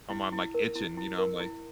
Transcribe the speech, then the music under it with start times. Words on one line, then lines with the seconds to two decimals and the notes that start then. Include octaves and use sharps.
I'm I'm like itching, you know? I'm like
0.10 E4
0.32 E4
0.54 A#4
0.75 E4
0.97 E4
1.18 A#4
1.40 E4